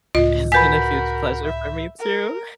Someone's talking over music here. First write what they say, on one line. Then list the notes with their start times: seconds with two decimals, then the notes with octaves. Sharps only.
It’s been a huge pleasure for me too.
0.15 C#2 A2 F4 D#5
0.52 F#4 A#4 B4 G#5 B5 G6 B6
1.44 E5
1.99 A#4